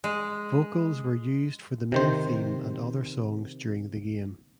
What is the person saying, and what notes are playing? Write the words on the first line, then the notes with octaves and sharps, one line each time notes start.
Vocals were used for the main theme and other songs during the game.
G#3
C3 D#3 C5